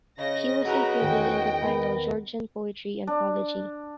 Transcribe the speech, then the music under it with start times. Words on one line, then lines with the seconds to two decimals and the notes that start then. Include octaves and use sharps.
He was included in the final "Georgian Poetry" anthology.
0.18 C#3 D#5 A#6
0.64 C#3 G#3 F#4 A4 B4 A#5
1.01 E2 D#3 G5
1.61 B3 A#4 B4
3.07 D4